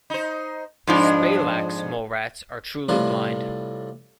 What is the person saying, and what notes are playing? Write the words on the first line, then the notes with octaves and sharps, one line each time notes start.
"Spalax" mole rats are truly blind.
D#4 C5
F2 G#2 F3 G#3 D4
A2 C3 G3 F4 B4